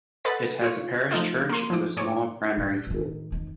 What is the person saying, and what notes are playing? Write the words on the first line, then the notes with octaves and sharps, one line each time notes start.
It has a parish church and a small primary school.
A4 B4 D#5 F#5 A6
F4 C#5
F3 A3 D#4 F4
A#3 C6
F3 D6
G#2 C#5 D6
A2
A2 D#3
F2 D#3